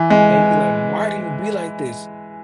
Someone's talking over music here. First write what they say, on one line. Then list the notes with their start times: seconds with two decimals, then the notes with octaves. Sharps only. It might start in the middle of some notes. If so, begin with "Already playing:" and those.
They'd be like, "Why do you be like this?"
Already playing: E3
0.10 G#3